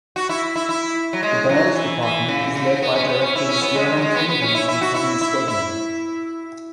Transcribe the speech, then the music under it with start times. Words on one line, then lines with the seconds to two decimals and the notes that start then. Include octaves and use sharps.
The band department is led by directors johann kennedy and Kevin Steggmann.
0.16 F#4
0.29 E4
0.56 E4
0.69 E4
1.13 F#3
1.23 G#3
1.49 F#3
1.75 E3
2.02 E3
2.29 C#3
2.55 C#3
2.82 B3
2.95 C#4
3.03 G#3
3.09 B3
3.22 C#4
3.36 E4
3.49 C#4
3.62 B3
3.75 G#3
3.88 G#3
3.97 F#3
4.02 G#3
4.15 B3
4.28 B3
4.42 C#4
4.55 E4
4.68 E4
4.81 F#4
4.94 E4
5.21 E4
5.48 E4